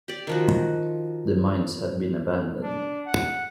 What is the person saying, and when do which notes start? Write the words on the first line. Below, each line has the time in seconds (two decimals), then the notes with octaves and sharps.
The mines had to be abandoned.
0.08 G4 D5
0.27 D#3 F3 F#4
2.63 D4
3.06 F#5